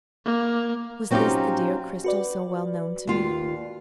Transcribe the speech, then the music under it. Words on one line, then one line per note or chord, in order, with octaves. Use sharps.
Was this the dear Cristel so well known to me?
A#3
F#3 C4 C#4 D#4 F4 G4
F#4 B4 D5
D#2 F4